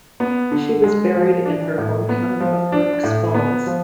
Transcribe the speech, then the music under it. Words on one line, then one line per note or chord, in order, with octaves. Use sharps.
She was buried in her hometown of Burk's Falls.
B3
D3
G#3
F3
D4
A2
B3
F3
D4
A2
B3
F3